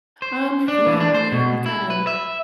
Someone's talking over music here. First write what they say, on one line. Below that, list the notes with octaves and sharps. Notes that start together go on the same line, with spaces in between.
Um, yeah, I mean, I kinda
C5
D4
E3
D4
C5
B2
E4
B4
E5